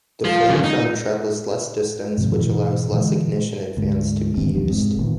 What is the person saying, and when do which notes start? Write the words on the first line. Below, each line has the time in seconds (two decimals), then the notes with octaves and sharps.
The flame front travels less distance which allows less ignition advance to be used.
0.25 F3
0.49 F#2 C#3
0.64 D#4
2.18 G#2 C3 D#3 F3
2.37 G#2 B2 D3 E3
2.92 A#2 D3 E3 G#3
3.77 D2 G#2
4.37 G#2 D#3 B3 C4
4.53 E1 C#2 D#3 F3
4.69 F1 G#2 G#3 C4
4.98 F#1 A#2 D#3 B3